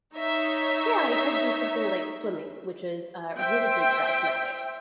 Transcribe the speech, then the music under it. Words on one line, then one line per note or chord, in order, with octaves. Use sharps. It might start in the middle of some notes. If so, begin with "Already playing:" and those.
Yeah, I try to do something like swimming, which is, uh, really great for asthmatics.
D#4 C#5 E5
C5 E5 G5